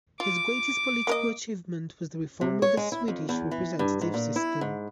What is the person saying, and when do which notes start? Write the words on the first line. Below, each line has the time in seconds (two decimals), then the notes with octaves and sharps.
His greatest political achievement was the reform of the Swedish representative system.
0.20 F4 D6
1.07 A#3 A#4 D#5
2.41 C3
2.62 C#5
2.77 G#3
2.92 E4
3.08 F2
3.29 E2
3.51 E3
3.79 G2
4.01 G#2
4.14 A#2
4.36 E4
4.61 G#2